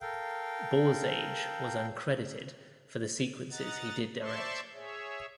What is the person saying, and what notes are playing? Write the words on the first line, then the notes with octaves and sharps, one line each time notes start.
Borzage was uncredited for the sequences he did direct.
A4 A#4 F5 G5
D#5 F#5 A#5 A6
C5 D5 E5 A5 C6 C#6
G#4 C#5 E5